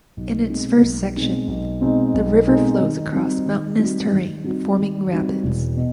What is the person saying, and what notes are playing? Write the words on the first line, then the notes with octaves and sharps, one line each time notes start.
In its first section the river flows across mountainous terrain forming rapids.
B1
B2 G#3 C4 D#4
B1
B2 G#3 C4 D#4
B1
B2 G#3 C4 D#4
B1
B2 G#3 C4 D#4
D#3
G3 C4 D#4 F#4
D#3
G3 C4 D#4 F#4
D#3
G3 C4 D#4 F#4
D#3
G3 C4 D#4 F#4
E1
B2